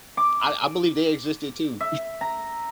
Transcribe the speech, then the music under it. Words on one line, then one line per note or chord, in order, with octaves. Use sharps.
I I believe they existed, too.
D6
E5
A#5